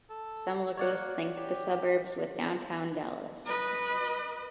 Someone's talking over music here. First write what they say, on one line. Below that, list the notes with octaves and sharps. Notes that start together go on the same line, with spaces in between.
Some locals link the suburbs with downtown Dallas.
A4
A#3 C#5 D5 F#5
G4
B4 D#5